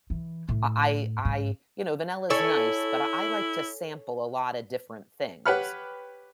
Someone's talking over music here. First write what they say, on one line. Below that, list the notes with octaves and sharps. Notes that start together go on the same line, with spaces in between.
I I I you know, vanilla is nice, but I I like to sample a lotta different things,
E3
A2
G#2
E4 A4 C#5 G#5
G4 B4 C#5 F#5 B5 F6